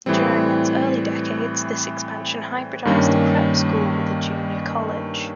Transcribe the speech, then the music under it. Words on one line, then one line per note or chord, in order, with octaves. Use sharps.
During its early decades, this expansion hybridized a prep school with a junior college.
A2 E3 G3 C4
G2 D#3 G3 A#3 C#4